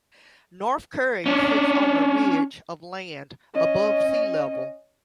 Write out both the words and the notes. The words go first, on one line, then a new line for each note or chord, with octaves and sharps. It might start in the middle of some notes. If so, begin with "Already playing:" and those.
North Curry sits on a ridge of land, above sea level.
C#4 D4
C#4 D#5